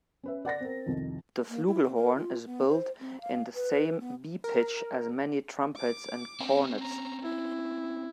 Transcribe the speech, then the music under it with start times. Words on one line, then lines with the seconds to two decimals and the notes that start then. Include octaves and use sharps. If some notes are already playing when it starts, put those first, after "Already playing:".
The flugelhorn is built in the same B pitch as many trumpets and cornets.
0.23 C#4 B4 E5
0.45 D5 F#5 A6 A#6
0.60 C4 A#4
0.86 C2 F2 D#3
1.49 A#3
1.67 E4
1.83 C4
1.95 A#4
2.16 F4
2.46 B3
2.68 C5
3.00 C4
3.21 F5
3.55 B4
4.00 B3
4.44 A#4
5.76 D6
6.40 C4 C#4
6.81 A#5
7.23 E4